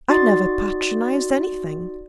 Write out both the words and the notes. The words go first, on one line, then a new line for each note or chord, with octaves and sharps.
I never patronised anything.
D#4 F#4 D5 C6 D#6 A6